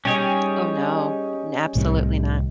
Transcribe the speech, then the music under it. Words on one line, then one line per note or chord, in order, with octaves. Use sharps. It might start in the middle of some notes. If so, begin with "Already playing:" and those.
Oh, no, n absolutely not.
G3 C#4 D#4 G#4 C#5
C2 A2 C3 D#3